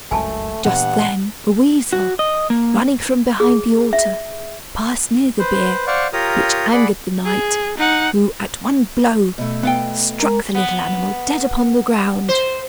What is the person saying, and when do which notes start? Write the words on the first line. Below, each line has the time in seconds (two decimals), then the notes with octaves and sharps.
Just then a weasel, running from behind the altar, passed near the bier, which angered the knight, who, at one blow, struck the little animal dead upon the ground.
0.11 F#1 C#2 G2 A3 G#5 A5
0.65 G2 A#2 E3 B3 F#5
1.93 F#4
2.19 D#5
2.50 A#3
3.40 G#4
3.93 E5
5.39 B4 C5
5.87 C5 D5 F5 F#5 C#6
6.13 F4 G4 A#4 C#5 A#5 D#6
6.73 G#4 D5 F#5 B5
7.26 G#4
7.77 D#4 F#5
9.38 B2 A3
9.63 B3 F5 G5
10.19 G#3 A#4 A#5
10.55 B3
12.29 C5